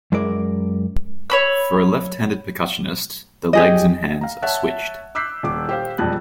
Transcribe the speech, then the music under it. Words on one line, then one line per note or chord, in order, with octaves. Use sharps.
For a left-handed percussionist, the legs and hands are switched.
F#2 G#3 E4 A#4 D5
C#5 B5 E6
G4 G#4 D#5
F5 A#5
C#5 E5 F#5 A5 F#6
D6 E6 F#6 G6 B6 C7
D#1 D6
G4 C5 F5
E1 F2 A#2 G3 A5 F#6